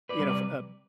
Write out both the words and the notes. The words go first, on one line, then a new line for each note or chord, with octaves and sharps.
you know, f uh
B4 D5
C3 G3
B4 D5